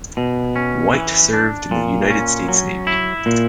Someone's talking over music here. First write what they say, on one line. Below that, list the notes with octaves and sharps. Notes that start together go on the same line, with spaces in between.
White served in the United States Navy.
B2
C#4
E3
D4
A#2
C#4
F#3
E4
A#2